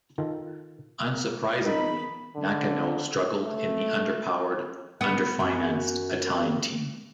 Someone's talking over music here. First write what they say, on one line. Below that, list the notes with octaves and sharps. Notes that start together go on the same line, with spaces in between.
Unsurprisingly, Nakano struggled in the under-powered, under-financed Italian team.
D#3 F4 A4
A#3
D#4 A#4 F5 B5
D3
A3
B3
F#2